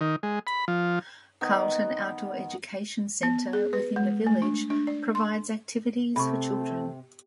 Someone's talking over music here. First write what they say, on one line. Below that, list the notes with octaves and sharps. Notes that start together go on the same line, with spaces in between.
Carlton Outdoor Education Centre within the village provides activities for children.
D#3
G#3
B5
F3
D#3 B3
B3
G#4
B4
G#3
A3
D4
D4
D5
C6
C3 A3 C4 B5 C#6